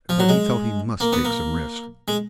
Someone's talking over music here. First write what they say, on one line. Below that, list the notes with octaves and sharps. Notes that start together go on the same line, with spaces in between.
But he felt he must take some risks.
F3
F#3
G#3
A#3
B3
A#3
G#3